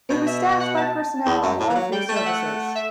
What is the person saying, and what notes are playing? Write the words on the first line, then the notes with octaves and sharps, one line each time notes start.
It was staffed by personnel of all three services.
B2
E5
F#5
A5
E2
F#2
A2
E3
F#3
G3 G5
A3
E5
F#5
E5